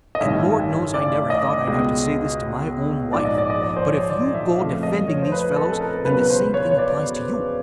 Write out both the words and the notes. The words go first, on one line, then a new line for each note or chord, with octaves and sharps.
And--Lord knows I never thought I'd have to say this to my own wife--but if you go defending these fellows, then the same thing applies to you!
D#5
A1 G2 D#3 G3 E5
D5
D#5
C#2 B2 G#3
A#1 G#2 F3 D5
D#5
D5
D#5
D5
C5
C#5
D5
E5
E5
F2 C#3 F3 A3 F5
D#5
C#5
C5
B4
A4
A4
A#4
E1 E2 C#3 F#3 B4
B4
C5
C#5
C#5
D5